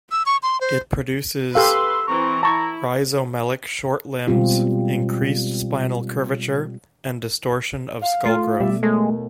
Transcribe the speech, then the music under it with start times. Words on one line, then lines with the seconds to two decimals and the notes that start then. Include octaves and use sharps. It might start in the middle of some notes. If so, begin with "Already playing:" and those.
It produces rhizomelic short limbs, increased spinal curvature, and distortion of skull growth.
0.11 E6
0.26 C#6
0.43 C6
0.61 C5
1.55 G4 A4 B4 F5 C6 E6
2.08 E3 C4 A#5 C#6
2.43 E4 A5 A#5 C#6
4.27 B2 G3 G#3 C4 F4 G4
8.02 F5
8.25 A3 F4
8.60 B2 G3 D5 E5
8.83 D#2 G#3 A3